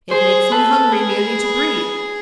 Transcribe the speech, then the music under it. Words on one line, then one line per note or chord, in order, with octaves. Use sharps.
It makes me hungry merely to breathe.
G#4 C5
A4 B4
G#4